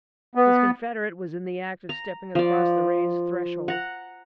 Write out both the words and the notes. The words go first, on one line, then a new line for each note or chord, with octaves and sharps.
His confederate was in the act of stepping across the raised threshold.
B3
A#5
F3 D5
F#5 A#5